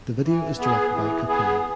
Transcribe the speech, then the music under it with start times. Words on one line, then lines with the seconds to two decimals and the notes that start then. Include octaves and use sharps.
The video is directed by Capone.
0.24 E3
0.58 B3 G#4
0.93 E3
1.28 B3 G#4